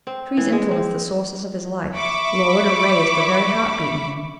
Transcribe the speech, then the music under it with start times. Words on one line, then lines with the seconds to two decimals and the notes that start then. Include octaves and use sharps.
Trees influenced the sources of his life, lowered or raised the very heart-beat in him.
0.07 C4
0.37 E3
0.52 G#3
0.71 C4
1.96 E5 B5 C#6 D6